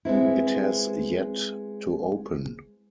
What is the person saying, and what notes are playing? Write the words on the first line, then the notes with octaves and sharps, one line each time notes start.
It has yet to open.
G#3 B3 C4 E4